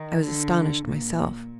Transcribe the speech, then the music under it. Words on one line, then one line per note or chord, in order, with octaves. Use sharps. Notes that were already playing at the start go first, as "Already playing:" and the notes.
I was astonished myself.
Already playing: D#3
D3
A#2